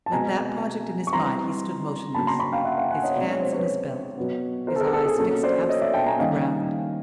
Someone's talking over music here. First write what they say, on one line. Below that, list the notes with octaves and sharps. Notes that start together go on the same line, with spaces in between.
With that project in his mind he stood motionless--his hands in his belt, his eyes fixed absently on the ground.
A5
B2 G#3 C4 G#5 A#5
C#6
E3 G3 C4 A#5 C6
C#3 F#3 A#3 C#4 A5 B5
A#5 C6
B5 C#6
F5 G5
E5 F#5
F5 G5
F#5 G#5
E5
C#5 D#5
B2 G#3 C4 D5
C#5
C5
B4 C#5
B2 F#3 B3
A#4 C5
A4
G#4 A#4
A4
G#4
B2 F#3 A#3 C#4 A4
C5 D5
C#5 D#5
D5 E5
G5 A5
G#5 A#5
D#3 G3 A#3 C#4 D#5 F5